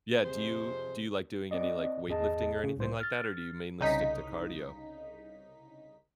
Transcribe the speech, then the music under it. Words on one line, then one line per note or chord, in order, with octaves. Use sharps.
Yeah, do you do you, like doing any, like, weightlifting or anything like that, or do you mainly stick to cardio?
F2 C3 G#4 C5
C4 D5 D#5
G#1 E2 G#4 D#5 A5
C#3
C2 A2 C5
F6 A6
C2 C#3 D#4 B6